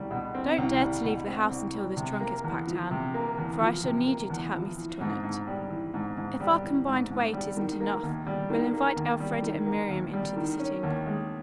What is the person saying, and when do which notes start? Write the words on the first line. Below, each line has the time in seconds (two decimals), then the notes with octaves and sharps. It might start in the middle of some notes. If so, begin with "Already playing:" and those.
Don't dare to leave the house until this trunk is packed, Anne, for I shall need you to help me sit on it. If our combined weight isn't enough, we'll invite Elfreda and Miriam in to the sitting.
Already playing: C2 G3
0.11 B2
0.35 C4
0.58 C2
0.81 G3
1.04 B2
1.27 C4
1.51 C2
1.74 G3
1.97 C3
2.20 A#3
2.44 E2
2.67 F3
2.91 C3
3.14 A#3
3.38 E2
3.61 F3
3.83 C3
4.07 A#3
4.30 E2
4.54 F3
4.77 E3
5.01 G#2
5.23 G#2
5.47 G3
5.70 E3
5.94 G#2
6.17 G#2
6.40 G3
6.63 E3
6.87 G#2
7.10 G#2
7.33 G3
7.57 D#3
7.80 A#3
8.03 D#2
8.27 G3
8.50 D#3
8.73 A#3
8.96 D#2
9.20 G3
9.43 D#3
9.66 A#3
9.89 D#2
10.13 G3
10.37 D#3
10.60 C#4
10.83 D#2
11.06 G#3